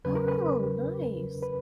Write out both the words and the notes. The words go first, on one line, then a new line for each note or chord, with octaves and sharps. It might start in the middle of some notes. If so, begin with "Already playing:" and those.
Oh, nice.
E2 C#3 F#3 C#4 B4
A#4
B4
B4